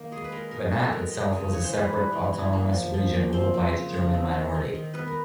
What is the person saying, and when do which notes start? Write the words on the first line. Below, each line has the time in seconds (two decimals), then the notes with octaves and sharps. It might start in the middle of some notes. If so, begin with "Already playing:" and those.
Banat itself was a separate autonomous region ruled by its German minority.
Already playing: D#3 A#3
0.11 G#3 G#4
0.24 B4
0.32 G#3 A#4
0.51 B2 A#4
0.71 B2 A4
0.85 A4
0.91 G#3 A#4
1.12 G#3
1.32 C#3
1.52 E3 C#5
1.64 C5
1.72 E3 B4
1.93 G3
2.12 E3
2.33 E3
2.53 A#3
2.73 F3
2.94 F3
3.13 A#3
3.33 C4 C5
3.54 C4
3.73 C#3
3.93 C#3
4.14 C4
4.34 D#3
4.54 D#3
4.75 D#3
4.94 B3 B4
5.08 A#4